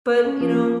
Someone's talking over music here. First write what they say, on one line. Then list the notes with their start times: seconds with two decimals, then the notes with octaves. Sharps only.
But, you know,
0.25 C#4
0.40 F3
0.56 F3